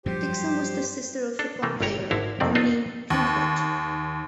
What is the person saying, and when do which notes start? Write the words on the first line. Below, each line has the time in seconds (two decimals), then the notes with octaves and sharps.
Dixon was the sister of football player Erny Pinckert.
0.06 G2 F3 F#3 G4 C5
1.39 D4 A4
1.62 C3 E3 A3 A#3
1.81 G1 G3 G4 C#5 A#5
2.11 G#1 D3 E4 F#4 F5
2.40 F2 C3 D#3 C4 D5
2.55 C4 D4 D#4 F4 A4
3.10 D#2